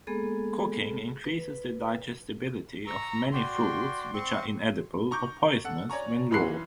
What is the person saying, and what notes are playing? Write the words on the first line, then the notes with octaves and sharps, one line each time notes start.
Cooking increases the digestibility of many foods which are inedible or poisonous when raw.
G#3 A#3 B3 G#4 A4
B4
A#5 C#6 E6
F#4 D5 G5 C6
C4 C6 C#6
A#5 C#6 D6 G6
A4 F#5
C#5 D5 G#5 A#5 C#6
B1 E3 B5 C6 F#6 C7